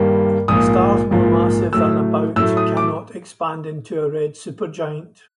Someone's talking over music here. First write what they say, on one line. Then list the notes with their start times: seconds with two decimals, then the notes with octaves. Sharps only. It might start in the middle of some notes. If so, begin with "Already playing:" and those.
Stars more massive than about cannot expand into a red supergiant.
Already playing: G2 D#3 G3 A#3
0.48 A#1 G#2 F3 A#3 D#6
1.10 A#1 G#2 F3 A#3
1.73 A2 F#3 A3 E6
2.36 A2 F#3 A3 E6
2.57 D#6
2.77 D6